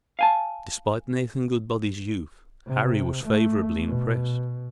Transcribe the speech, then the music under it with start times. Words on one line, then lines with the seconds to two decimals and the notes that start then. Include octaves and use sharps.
Despite Nathan Goodbody's youth Harry was favorably impressed.
0.19 F5 G#5 A5
2.67 C3
3.25 A3
3.86 B2